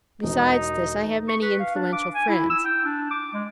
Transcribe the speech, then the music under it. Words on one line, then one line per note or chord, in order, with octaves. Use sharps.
Besides this, I have many influential friends.
E1 D#4
C#6
B4
F5
D4
D6
G#5
E4
E6
G5
D4
D6
G#3